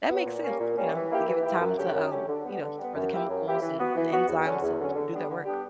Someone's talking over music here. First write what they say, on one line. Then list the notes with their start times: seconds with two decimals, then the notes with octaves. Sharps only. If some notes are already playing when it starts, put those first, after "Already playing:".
that makes sense, you know, to give it time to, um, you know, for the chemicals and the enzymes to do their work.
0.09 F#3 B3
0.26 A#2
0.43 G3 A#3 C#4
0.60 A#2
0.77 G3 A#3 C#4
0.94 E3
1.10 A#3 E4 G4
1.28 E3
1.43 A#3 E4 G4
1.60 F#2
1.77 D3 F#3 C#4 G4
1.94 F#2
2.11 D3 F#3 C#4 G4
2.28 D3
2.44 G3 B3
2.61 D3
2.78 G3 B3
2.94 F#2
3.11 E3 A#3 E4 G4
3.29 F#2
3.45 E3 A#3 E4 G4
3.62 E3
3.79 B3 F#4
3.96 E3
4.12 B3 F#4
4.29 E2
4.45 D3 F#3 C#4
4.62 E2
4.80 D3 F#3 C#4
4.95 D3
5.12 G3 B3 D4 G4
5.29 D3
5.46 G3 B3 D4 G4